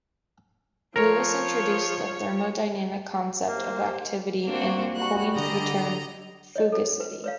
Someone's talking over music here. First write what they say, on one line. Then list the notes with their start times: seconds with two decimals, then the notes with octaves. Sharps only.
Lewis introduced the thermodynamic concept of activity and coined the term "fugacity".
0.96 F3 A#4 C#5
3.48 A#3 G4 C5
4.46 A#3 C4 D4 F#4
4.96 G3 F#4 F#6
5.36 D3 D#5 A#5
6.56 C#5 D#5
6.72 A4
7.00 B4
7.24 B4 C#5 F5